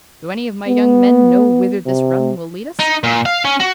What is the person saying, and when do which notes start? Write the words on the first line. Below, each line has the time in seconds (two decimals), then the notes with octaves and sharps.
"Do any of my young men know whither this run will lead us?"
0.68 B3
1.86 C3
2.79 D#4
3.03 A#2
3.26 F5
3.45 C#4
3.60 F#4